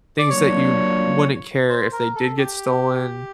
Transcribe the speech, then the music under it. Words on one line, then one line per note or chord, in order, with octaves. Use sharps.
things that you wouldn't care if they did get stolen,
D5
F#3 A#3 D4 F4 C#5
C5
A#4
A4
G4